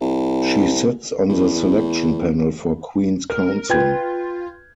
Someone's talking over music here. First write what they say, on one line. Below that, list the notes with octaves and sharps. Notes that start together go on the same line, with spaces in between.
She sits on the Selection Panel for Queen's Counsel.
C2
E2
A#4 F6
F4 B4 G5 G#6